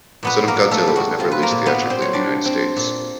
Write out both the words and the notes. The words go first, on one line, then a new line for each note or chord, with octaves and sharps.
"Son of Godzilla" was never released theatrically in the United States.
A#2 B3 B4
A#3 A#4
A#2
A3 A4
G3
F#4
C4 F4
B4
A#3 A#4
A#2
B3 B4
A#2
C4 C5
C#5
G3 D4 D5
C4
A#2